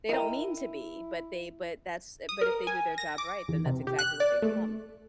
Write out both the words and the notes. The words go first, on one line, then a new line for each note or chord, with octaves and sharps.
They don't mean to be, but they but that's but if they do their job right, then that's exactly what they become.
E4 A#4 D#5 E5 G5 A#5
D#6
A#4
G#5
A#6
D6
E2
C3
G4
F#6
D5
A3